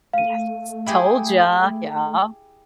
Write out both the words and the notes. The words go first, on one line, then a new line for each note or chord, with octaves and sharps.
Yes. "Told ya." Yeah.
A3 F5 D#7
E4 G4 G#4